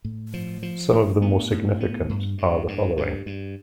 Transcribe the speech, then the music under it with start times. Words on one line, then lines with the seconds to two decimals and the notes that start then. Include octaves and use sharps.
Some of the more significant are the following.
0.05 A2
0.34 F3
0.63 F3
0.93 A2
1.22 B3
1.51 A2
1.80 B3
2.09 G2
2.38 G2
2.68 G2
2.97 G2
3.26 G2